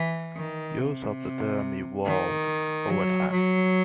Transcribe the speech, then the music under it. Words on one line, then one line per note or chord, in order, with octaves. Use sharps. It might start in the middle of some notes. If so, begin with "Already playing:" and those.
Use of the term evolved over time.
Already playing: E3
D#3
C3
D#3
F#3
F#3